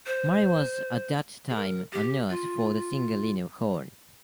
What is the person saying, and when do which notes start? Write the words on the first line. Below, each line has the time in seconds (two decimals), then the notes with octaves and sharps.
Mary was at that time a nurse for the singer Lena Horne.
0.06 C5
1.50 G#4
1.56 A#4
1.93 G4
2.30 F4